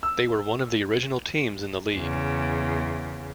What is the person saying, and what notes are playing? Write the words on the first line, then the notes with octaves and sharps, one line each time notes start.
They were one of the original teams in the league.
E6
E2 C#3